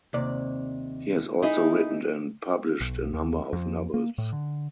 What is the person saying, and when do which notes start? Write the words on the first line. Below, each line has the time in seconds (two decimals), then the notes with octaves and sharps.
He has also written and published a number of novels.
0.13 D#2 C3 D5
1.43 D#4 E4 G#4
2.81 B1
3.13 D#2
3.53 F2
3.94 A#3
4.18 A2
4.33 D3